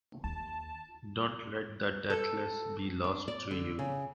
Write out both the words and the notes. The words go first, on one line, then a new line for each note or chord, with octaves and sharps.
Don't let the deathless be lost to you.
D#2 A5
A4
D4
D5
D3
C#3